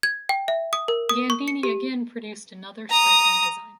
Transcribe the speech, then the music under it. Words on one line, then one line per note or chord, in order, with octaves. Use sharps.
Gandini again produced another striking design.
G#6
G5
E5
D#6
A#4
D#6
C#6
C#7
G4
A#5 D#6